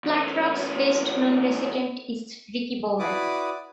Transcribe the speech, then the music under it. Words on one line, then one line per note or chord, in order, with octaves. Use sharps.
Flat Rock's best known resident is Ricky Bowman.
E2 C#4
E4 F#4 B4 D5 D6 D#6